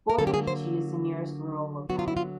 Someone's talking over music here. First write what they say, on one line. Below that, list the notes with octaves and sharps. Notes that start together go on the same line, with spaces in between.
Bordovichi is the nearest rural locality.
A#4
D3 F#3 A#3 A4
G4
G#4
C5
D3 F#3 B3 F#4
F4
E4
F4